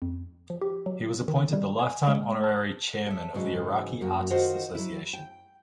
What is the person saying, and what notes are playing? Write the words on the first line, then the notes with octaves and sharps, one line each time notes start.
He was appointed the lifetime honorary chairman of the Iraqi Artists Association.
F2
F3
G4
F#3
D#3
G3
G#5
G#3
A5
A4 C#5 E5
G#2 C#3 E3 F#3
F#2 F#3 A#3 F#4
D#3 D#4 F4 F#4 C5
F#3 E4
G5